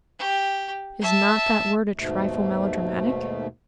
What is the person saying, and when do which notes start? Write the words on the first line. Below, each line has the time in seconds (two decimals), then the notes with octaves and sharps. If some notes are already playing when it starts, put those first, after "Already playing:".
"Is not that word a trifle melodramatic?"
0.19 G4
1.01 E5 A5
1.96 D#2 G#2 B2 A3